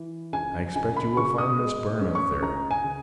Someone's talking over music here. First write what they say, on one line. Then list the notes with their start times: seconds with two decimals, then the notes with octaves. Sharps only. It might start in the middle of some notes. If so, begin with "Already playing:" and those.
I expect you will find Miss Byrne up there.
Already playing: E3
0.33 C#2 G#5
0.75 C#2 G#5
0.97 B5
1.17 C#3 C#6
1.38 D#6
1.59 G#3
2.01 C#4
2.15 C#6
2.42 C#2 A#5
2.71 G#5
2.84 C#3